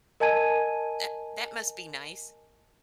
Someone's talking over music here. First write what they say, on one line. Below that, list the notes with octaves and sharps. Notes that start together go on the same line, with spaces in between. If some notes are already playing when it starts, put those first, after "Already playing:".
That that must be nice.
A#4 D#5 G#5 A5 G#6 D#7